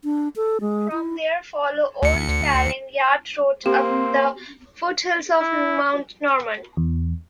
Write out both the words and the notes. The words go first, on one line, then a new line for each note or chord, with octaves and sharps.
From there follow Old Paling Yard Road up the foot hills of Mount Norman.
D4
A4
G#3
E4
D2 C#7
A#3 C4 G4 C5
E4
E2